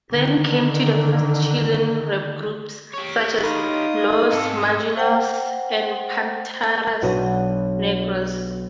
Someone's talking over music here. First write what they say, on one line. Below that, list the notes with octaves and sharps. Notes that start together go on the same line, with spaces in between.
Then came the first Chilean rap groups, such as "Los Marginales" and "Panteras Negras".
D3 D#3
G4 C#5 C#6
D#4 F4 D#5 F5 A#5 B5 D#6
G#2 C4 A4 E6 C#7
C5 F#5 G5
B1 B2 D4 F#4 D#6 A#6